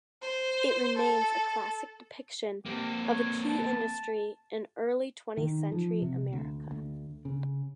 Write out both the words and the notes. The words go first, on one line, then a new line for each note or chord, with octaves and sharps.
It remains a classic depiction of a key industry in early twentieth-century America.
C5
A4
A#3 C4 G4
C#5
A5
D#3
F3
C3
D2
D2
C#3